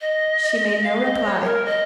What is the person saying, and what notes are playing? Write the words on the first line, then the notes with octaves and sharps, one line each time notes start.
She made no reply.
D#5
F5
D#5
C#5
A#4
D#5